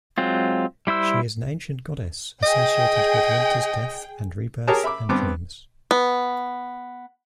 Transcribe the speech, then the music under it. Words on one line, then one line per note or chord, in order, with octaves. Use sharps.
She is an ancient goddess associated with winter's death and rebirth and dreams.
F#3 G#3 C4 F4
G3 E4 C5 E6
G#4 D#5 G5
G4 G#4 A#4 C#5 A5
E5 B5 D6
G2 B3 C4 D6
B3